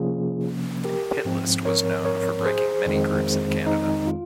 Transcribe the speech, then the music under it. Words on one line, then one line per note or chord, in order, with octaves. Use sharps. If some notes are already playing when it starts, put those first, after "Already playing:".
"Hit List" was known for breaking many groups in Canada.
Already playing: C3 F3 A#3 C#4 F4 G#4
G4 A#4
G#2 F3 C4
A#4 C#5
A#4 C#5
G#4 C5
F2 D#3 G#3 C4
D#4
F4